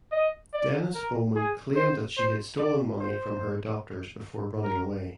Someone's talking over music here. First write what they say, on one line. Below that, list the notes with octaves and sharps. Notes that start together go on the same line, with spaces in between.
Dennis Bowman claimed that she had stolen money from her adopters before running away.
D#5
D5
A#4
G#4
C5
C5
D5
C5
A#4